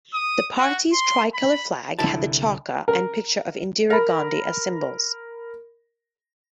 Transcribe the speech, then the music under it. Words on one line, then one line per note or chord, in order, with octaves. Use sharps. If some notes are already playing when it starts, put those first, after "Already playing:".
The party's tricolour flag had the charkha and picture of Indira Gandhi as symbols.
D#6
F#4
C6
B5
C2 D3 E4 E5 A5
A#4
A#4 B5